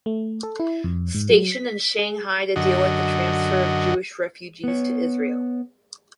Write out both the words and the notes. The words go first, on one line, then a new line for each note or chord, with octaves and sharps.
Stationed in Shanghai to deal with the transfer of Jewish refugees to Israel.
A3
A4
E4
F2
G#2
F#3
B6
G#4
F#2 D3 F#4 D#5
B3 C#5